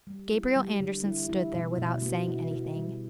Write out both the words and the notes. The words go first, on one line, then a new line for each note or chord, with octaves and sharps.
Gabriel Andersen stood there without saying anything.
G3
E4
G3
D3
E4
E4
B2
B2
B3
E4
E4
G3